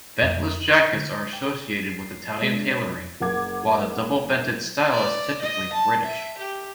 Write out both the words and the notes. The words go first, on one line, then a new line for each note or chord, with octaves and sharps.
Ventless jackets are associated with Italian tailoring, while the double-vented style is typically British.
F2
C#6
D3
D6
G5
G#4
C7
G#3
D4
C#5
F#1 A#4 F#5 D6 G#6
D5
D#5
A5
E5
G4